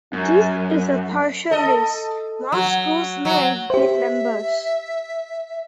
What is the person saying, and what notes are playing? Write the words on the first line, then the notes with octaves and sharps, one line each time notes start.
This is a partial list, more schools may have been members.
F#2
A4 D#5
F#3
F#3
G4 C5 E5